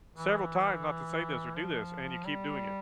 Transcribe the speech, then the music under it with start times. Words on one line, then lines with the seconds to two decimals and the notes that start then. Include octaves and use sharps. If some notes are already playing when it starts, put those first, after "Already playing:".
"several times not to say this or do this, and you keep doing it."
0.16 E3
1.56 F3
2.25 G3